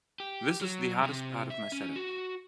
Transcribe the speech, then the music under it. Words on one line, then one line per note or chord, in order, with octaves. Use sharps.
This is the hardest part of my setup.
G4
F#3
C3
E5
C#4
F#4